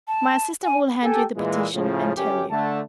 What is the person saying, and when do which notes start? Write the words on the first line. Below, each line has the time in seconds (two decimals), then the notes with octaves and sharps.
"My assistant will hand you the petition and tell you."
0.08 A5
0.64 G#5
1.03 G4 A4 G5 G#5
1.37 A#2 E3 G#3
1.74 A2 C#3 F3
2.17 G1 F#2 C#4 G4
2.51 D3 A3 A5